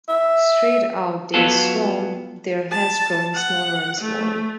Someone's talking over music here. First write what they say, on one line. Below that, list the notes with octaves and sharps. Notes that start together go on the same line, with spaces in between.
Straight out they swam, their heads growing smaller and smaller.
E5
F#3 B3 F4 A4
A5
F#5
A3